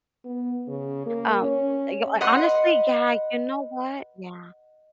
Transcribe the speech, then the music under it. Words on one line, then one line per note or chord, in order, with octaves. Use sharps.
um, you ho honestly yeah, you know what, yeah.
B3
C#3
A#3
C#4
B4 D#5 F#5 C6